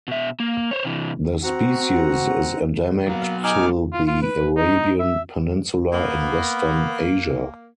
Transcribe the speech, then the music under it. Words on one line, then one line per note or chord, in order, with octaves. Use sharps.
The species is endemic to the Arabian Peninsula in Western Asia.
B2 E5
A#3
C5 C#5
C3 E3
C4 F#4 F#5 A#5
F#3 A#3 B3
D#4 G#5 D6 F6
F4
F4
B4
D#4
E5
A#3 B3